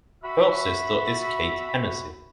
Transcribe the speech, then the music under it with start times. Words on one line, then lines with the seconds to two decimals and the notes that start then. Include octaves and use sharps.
Her sister is Kate Hennessy.
0.23 F#4 E5 B5